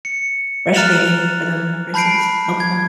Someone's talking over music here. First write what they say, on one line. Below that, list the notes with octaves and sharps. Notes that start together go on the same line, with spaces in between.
frustrating for them versus helpful.
C#7
A#5 F6 F#6 A6 E7 F7
A5 B5 G6 C7 D7
G#6